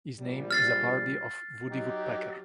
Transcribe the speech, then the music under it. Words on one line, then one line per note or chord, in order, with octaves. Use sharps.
His name is a parody of Woody Woodpecker.
A#1 G3
F6 A6 C7
F#3 D#4 G4